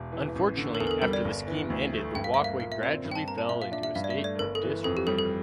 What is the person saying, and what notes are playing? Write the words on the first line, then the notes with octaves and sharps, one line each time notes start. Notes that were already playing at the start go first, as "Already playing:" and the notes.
Unfortunately, after the scheme ended the walkway gradually fell into a state of disrepair.
Already playing: E1
E3
A1
D3
A#4
E2 A4
A#4
A4
G3 A#4
D5
G1
E3
D2
A3
G2 G5
F5
A#3 E5
F5
A#2 F5
E5
C4 D5
G2
G5
A5
A#3 A#5
A5
A#2 E5
F5
D4 E5
E5
G2 F5
D5
E5
A3
D5
G1 A#4
A4
E3
F2 A4
G4
G3 A4
A4